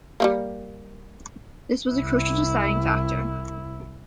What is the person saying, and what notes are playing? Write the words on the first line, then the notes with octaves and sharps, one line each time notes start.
This was a crucial deciding factor.
G3 A3 A#3
C2 E4